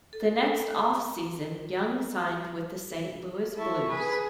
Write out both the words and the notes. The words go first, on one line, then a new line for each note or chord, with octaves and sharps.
The next offseason Young signed with the Saint Louis Blues.
A4
E4 A4 C#6
G#4 B4 B5